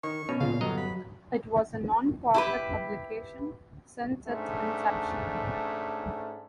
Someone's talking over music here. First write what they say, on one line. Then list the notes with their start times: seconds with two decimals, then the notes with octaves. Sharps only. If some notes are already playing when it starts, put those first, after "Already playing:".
It was a nonprofit publication since its inception.
0.04 D#3 C#6
0.29 B2 C#4
0.41 A#2 C#3 F5
0.61 G1 F#3 D#5 A#5
0.77 B5
2.34 E4 G4 B4
4.28 G#2 A3 C#4 D4